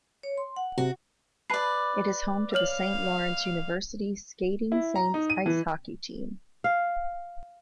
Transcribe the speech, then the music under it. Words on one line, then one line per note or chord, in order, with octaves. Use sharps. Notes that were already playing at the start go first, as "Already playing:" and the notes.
It is home to the Saint Lawrence University Skating Saints ice hockey team.
C#5
C6
F#5
C3 F#4
B4 D5 A5 B5 C7
C#5 F5 F6 F#7
E4
A#5
D#4
D#7
E3
F5